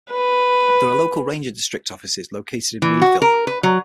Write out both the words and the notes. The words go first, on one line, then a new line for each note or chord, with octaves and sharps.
There are local ranger district offices located in Meadville.
B4
E3
F#4
A#4
B4
F#3